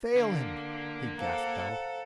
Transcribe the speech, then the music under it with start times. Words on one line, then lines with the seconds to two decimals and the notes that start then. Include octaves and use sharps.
"Phelan!" he gasped out.
0.16 D3 A#3
1.18 A4 C5 F5 F#5 A#5